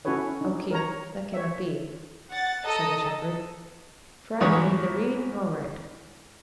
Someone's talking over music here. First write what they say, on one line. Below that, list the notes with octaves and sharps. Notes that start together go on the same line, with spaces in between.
"O king! that cannot be," said the shepherd; "for I can neither read nor write."
C#4 E4 F#4 A4 B4 C#5
D4 D#4
A#4 C#5 A#5
C#5 E5
F#5 A6
A4 D#5 A#5 D#6
A4
E2 G#2 D3 E3 C#5 D#6